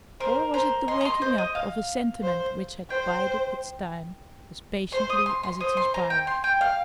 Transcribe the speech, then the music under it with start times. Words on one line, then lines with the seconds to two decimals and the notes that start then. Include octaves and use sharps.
Or was it the waking up of a sentiment which had bided its time as patiently as its inspirer?
0.20 A#4 C5
0.54 A#4 C5
0.88 D#5 C6
1.01 A#5
1.05 C6
1.22 C5
1.38 D#5
1.55 F5
2.23 C5
2.90 C5 G5
4.92 C5 C6
5.10 D#6
5.26 C6
5.43 C6
5.60 C5 D#6
5.77 C6
5.94 A#5
6.10 G5
6.27 C6
6.44 G5
6.61 F5